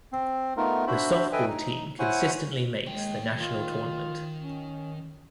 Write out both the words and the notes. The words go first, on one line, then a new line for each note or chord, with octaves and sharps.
The softball team consistently makes the national tournament.
C4
A3 B3 D#4 F4 A#4
D4 F#4 C5 E5 B5
A4 B4 D#5 E5 G5 G#5
D#4
E4 C5 C#5 F#5 G#5 C#6
D#2 G#3 G5
D#3 F4
C#4